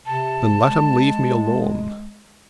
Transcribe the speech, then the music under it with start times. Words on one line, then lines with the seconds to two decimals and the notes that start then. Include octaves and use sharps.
'Then let him leave me alone.
0.06 C3 A5
0.64 G#3